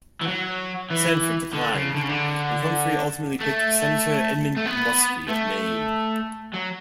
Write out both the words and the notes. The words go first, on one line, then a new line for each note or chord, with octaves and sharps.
Sanford declined, and Humphrey ultimately picked Senator Edmund Muskie of Maine.
E3
F#3
E3
D3
C#3
D3
C#3
D3
A3
A3
B3
A3
F#3